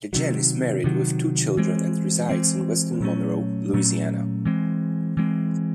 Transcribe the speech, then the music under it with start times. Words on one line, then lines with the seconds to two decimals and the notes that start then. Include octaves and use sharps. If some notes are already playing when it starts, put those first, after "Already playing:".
DeJean is married with two children and resides in West Monroe, Louisiana.
0.13 C3 D#3 F#3
0.84 C3 D#3 F#3
1.57 E3 G#3 C4
2.29 E3 G#3 C4
3.01 A#2 F#3 A3 C#4
3.73 A#2 F#3 A3 C#4
4.45 E3 G#3 C4
5.17 E3 G#3 C4